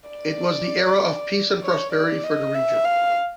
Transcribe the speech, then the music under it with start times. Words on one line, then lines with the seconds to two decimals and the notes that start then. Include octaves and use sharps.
It was the era of peace and prosperity for the region.
0.10 D5
1.63 C#5
1.93 D5
2.24 D#5
2.55 E5
2.85 F5